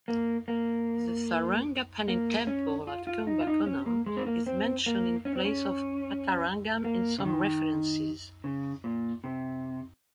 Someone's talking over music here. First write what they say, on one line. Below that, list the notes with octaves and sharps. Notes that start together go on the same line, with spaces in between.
The Sarangapani temple at Kumbakonam is mentioned in place of Vatarangam in some references.
A#3
A#3
A#3
C#4
F4
F4
D#4
F4
D#4
C#4
A#3
G#3
C4
A#3
C4
A#3
C#4
C4
C#4
A#3
C#3
D#3
C#3
A#2
C3